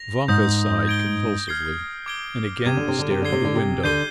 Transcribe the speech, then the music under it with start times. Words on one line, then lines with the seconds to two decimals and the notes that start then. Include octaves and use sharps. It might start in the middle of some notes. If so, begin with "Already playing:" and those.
Vanka sighed convulsively, and again stared at the window.
Already playing: A#6 F7
0.28 G#2 D#6 G6 A#6
0.88 G#6 D7 G7
1.47 F6 G#6 C7 G7
2.06 D6 G#6 D7 G7
2.66 C3 D6 G#6 D#7
2.77 D3
2.88 C3
2.99 D3
3.10 C3
3.22 D3 G#6 C7 G7
3.32 C3
3.45 D3
3.55 C3
3.83 D3 G6 C7 D#7 G7